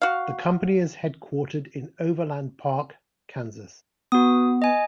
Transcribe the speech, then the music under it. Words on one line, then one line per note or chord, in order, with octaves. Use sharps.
The company is headquartered in Overland Park, Kansas.
F#4 F5
B3 F#4 D#6
D#5 G#5